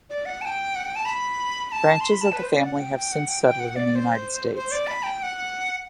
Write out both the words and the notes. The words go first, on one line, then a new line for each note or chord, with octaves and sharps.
Branches of the family have since settled in the United States.
D5
F#5
A5
G5
F#5
G5
A5
B5
B5
A5
C6
B5
A5
B4
C5
D5
F#5
G5
G5
F#5
G5
G5
F#5
D5
D5
C5
C5
D5
B5
G5
G5
F#5